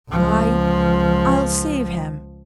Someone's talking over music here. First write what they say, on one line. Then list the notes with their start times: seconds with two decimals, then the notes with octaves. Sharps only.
I... I'll save him.
0.11 C#2 F3